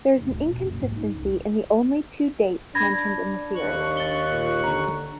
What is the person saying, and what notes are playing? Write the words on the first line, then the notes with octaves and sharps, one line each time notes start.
There is an inconsistency in the only two dates mentioned in the series.
F1
D1
B2
F#1
G#2
D#4
C#2
E4
D4 B5 G#6 A#6
D#2 C#6 F#6
A6 G7
A#2
D3 A#5